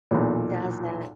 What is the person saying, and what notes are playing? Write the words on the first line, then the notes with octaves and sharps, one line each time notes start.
It doesn't.
B1 E2 A#2